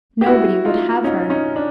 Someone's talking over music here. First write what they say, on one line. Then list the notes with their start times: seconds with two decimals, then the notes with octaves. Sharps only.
Nobody would have her.
0.21 G4
0.26 E4 F#4
0.65 D#4 F4
1.04 C#4 D#4
1.30 C#4 D#4
1.56 D4